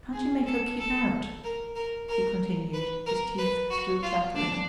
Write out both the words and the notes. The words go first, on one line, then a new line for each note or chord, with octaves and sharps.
"Can't you make her keep out?" he continued, his teeth still chattering.
G#4
A4
A4
A#4
A#4
A#4
B4
A#4
B4
F#4
F4
D4